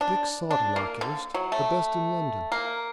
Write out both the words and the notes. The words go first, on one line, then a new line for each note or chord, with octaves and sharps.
Dick sought an oculist,--the best in London.
D4
D4
A#3
D3
F#3
A3
A#3